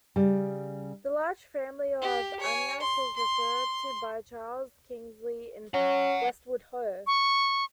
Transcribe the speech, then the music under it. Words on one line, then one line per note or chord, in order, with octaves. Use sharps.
The large family of Amyas is referred to by Charles Kingsley in Westward Ho!
C#3 G3
G4
C#5 G#5
C6
C6
C#4 C#5 F#5
C#6